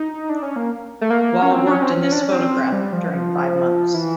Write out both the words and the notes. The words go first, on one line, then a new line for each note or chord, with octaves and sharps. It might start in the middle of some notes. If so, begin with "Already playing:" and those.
Wall worked in this photograph during five months.
Already playing: D#4
D4
C#4
A#3
A3
A#3
C#4
C4
D4
C#4
C4
C#4
C#4
D4
C#4
C4
G3
F3
E3